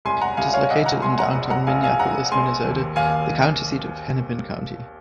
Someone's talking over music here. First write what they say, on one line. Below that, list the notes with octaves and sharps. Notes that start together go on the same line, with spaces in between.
It is located in downtown Minneapolis, Minnesota, the county seat of Hennepin County.
C2 G#5 C6
F#5 A#5
C2 F5 G#5
C#5 F5
C3 D#5 F#5
F#5 A#5
C2 G#5 C6
F#5 A#5
A#1
F#5 A#5
A#1 F5 G#5
F5 G#5
A#1 F#5 A#5
A#1 G#5 C6
D#2
D#2 F5 G#5